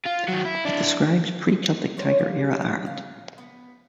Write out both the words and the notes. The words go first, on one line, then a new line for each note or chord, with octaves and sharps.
It describes pre-Celtic Tiger era Ireland.
F4
D#3 F#3
E4
D4 E4
C3
C#4 D4 C5 C#5
G3 A#3 B3 G4
A2
F5
B3